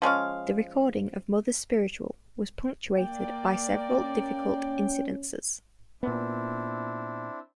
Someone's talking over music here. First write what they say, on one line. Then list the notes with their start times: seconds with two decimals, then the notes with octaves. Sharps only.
The recording of "Mother's Spiritual" was punctuated by several difficult incidences.
0.02 F3 G#3 C#4 F5
2.97 A#3 D5 G5
4.02 C#4
6.03 A#2 B3 C4 D4 E4